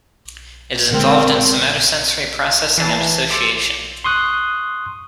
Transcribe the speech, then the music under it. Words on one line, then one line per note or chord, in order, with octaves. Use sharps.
It is involved in somatosensory processing and association.
A#2 D3 G#3 C4 A#4
E3 G#4 A5
A4 C5 D6
C6 C#6 D#6 F#6